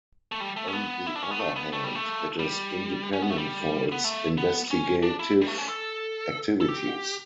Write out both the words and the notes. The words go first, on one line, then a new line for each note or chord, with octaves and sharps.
On the other hand, it is independent for its investigative activities.
A3
G3
A3
C#4
B3
E4
D4
C#4
B3
A3
B3
A3
G3
A3
G3
C#4
B3
A3
G3
B3
A3
B3
C#4
D4
E4
G3
A3
C#4
A4
A4
G4